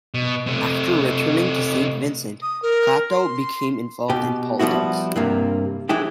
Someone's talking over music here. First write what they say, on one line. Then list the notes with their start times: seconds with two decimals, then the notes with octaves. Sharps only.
After returning to Saint Vincent, Cato became involved in politics.
0.14 B2
0.47 C3 A3
2.42 D#6
2.62 A#4
3.10 C6
4.10 B2 G4
4.59 F3 G3 B3 E4 F#4
5.16 G2 C3 A#3
5.89 E3 G#3 E4 G4